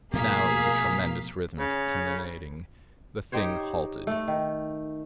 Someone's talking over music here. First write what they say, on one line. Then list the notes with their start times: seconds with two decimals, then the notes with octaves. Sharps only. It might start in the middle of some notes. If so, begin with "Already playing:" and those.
Now it was a tremendous rhythmic cannonading. The Thing halted.
0.13 B2 F3 A3 A#3 G#4 F5 B6
1.58 C#3
3.32 D#4 G4 C5 C#5
4.07 A3
4.28 D#3